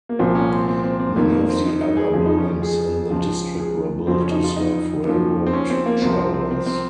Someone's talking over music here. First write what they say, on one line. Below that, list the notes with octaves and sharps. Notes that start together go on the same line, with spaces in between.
Many of the other buildings in the district were built to serve railroad travelers.
A#3
C2 A#2 F3 C4
C#4
C4
C4
C4
C4
F2 D#3 A#3
A#3
C4
D#4
D#4
G#4
F2 C#3 F3 G#4
D#4
C#4
C#4
G#4
C#2 C#3 F3
G#4
F2 C#3 F3 C4
C#4
D#4
F4
D#4
D#2 C#3 F3
C4
C#4
C4
A#3
C2 C3 F3 C4
C4
C4
C4
C4